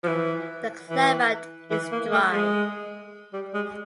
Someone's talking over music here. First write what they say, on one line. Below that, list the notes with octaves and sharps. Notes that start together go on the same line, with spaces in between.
The climate is dry.
F3
E3
E3
E3
A#3
A3
G#3
G3
G#3